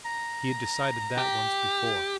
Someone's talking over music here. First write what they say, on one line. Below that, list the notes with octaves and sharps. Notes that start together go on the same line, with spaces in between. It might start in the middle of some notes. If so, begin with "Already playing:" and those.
He had decided that once before!
A#5
G4